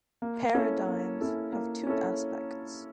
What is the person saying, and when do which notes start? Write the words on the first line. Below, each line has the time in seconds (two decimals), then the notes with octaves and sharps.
Paradigms have two aspects.
0.22 A#3
0.54 C#4 E4 A4
0.87 A#3
1.21 C#4 E4 A4
1.53 A#3
1.87 C#4 E4 A4